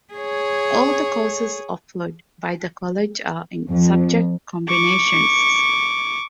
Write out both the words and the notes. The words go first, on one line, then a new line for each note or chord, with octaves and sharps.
All the courses offered by the College are in subject combinations.
G#4 C#5
F2
C#6 D6